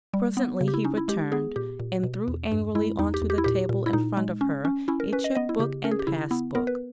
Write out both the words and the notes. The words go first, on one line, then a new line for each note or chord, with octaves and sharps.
Presently he returned, and threw angrily on to the table in front of her a cheque-book and pass-book.
G3
B3
C#3
G4
E4
C#4 D#4
E4
G#3 G4
B3 G#4
A#2 G4
A#2
B2
E2
G2
G#3 E4
E2 D#4
G4
E2
G4
E4
A#2 G4
A#2
E4
A#2 D#4
G#3
C#4
C#4
C#4 E4
A#4
C#4 B4
D#5
B3 D#5
E4
C#3 G4
C#4 A#4
G#4
G4
C#3 E4
B3 E4
B3 A#4
B4